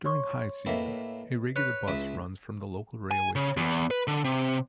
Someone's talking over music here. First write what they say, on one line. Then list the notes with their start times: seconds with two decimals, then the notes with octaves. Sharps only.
During high season, a regular bus runs from the local railway station.
0.05 C#5 C6 C#6
0.66 A2 A#3 E4 B4 D#5
1.56 B4 C#5 F#6
1.88 C#2 E4 B4
3.11 G#5
3.35 C#3
3.57 E2
3.91 B4
4.07 D3
4.24 C3